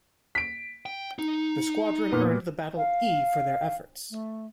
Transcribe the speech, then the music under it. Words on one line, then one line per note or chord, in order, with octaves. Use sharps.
The squadron earned the Battle "E" for their efforts.
B6 D7
G5
D#4
A#2 B3
F5
A3